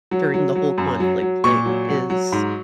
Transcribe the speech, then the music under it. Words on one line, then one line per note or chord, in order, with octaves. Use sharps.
during the whole conflict thing is
F#3
F#3
F#3
F#2
F#3
F#3
A#2 C#6
F#3
F#3
F#3
G#2